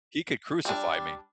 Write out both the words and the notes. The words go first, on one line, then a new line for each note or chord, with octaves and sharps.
he could crucify me.
G3 D4